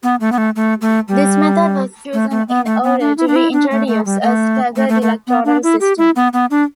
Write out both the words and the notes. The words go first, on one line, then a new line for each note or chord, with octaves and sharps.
This method was chosen in order to reintroduce a staggered electoral system.
B3
A3
B3
A3
A3
A3
G3
A3
A3
B3
A3
B3
D4
E4
D4
E4
D4
A3
A3
G3
A3
A3
A3
A3
B3
D4
E4
G4
E4
B3
B3
D4